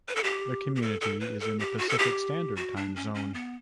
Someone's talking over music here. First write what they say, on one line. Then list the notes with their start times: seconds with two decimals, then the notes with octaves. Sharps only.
The community is in the Pacific Standard Time zone.
0.08 B4
0.16 A4
0.24 G4
0.76 G4
0.82 A4
1.01 A4
1.20 B4
1.40 A4
1.59 G4
1.78 F#4
1.89 A4
1.99 G4
2.56 F#4
2.76 D4
2.96 C#4
3.14 C#4
3.34 B3